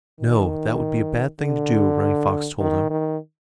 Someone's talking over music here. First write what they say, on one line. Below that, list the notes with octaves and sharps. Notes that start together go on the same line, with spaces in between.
"No, that would be a bad thing to do," Running Fox told him.
D#3
D3
D#3
D#3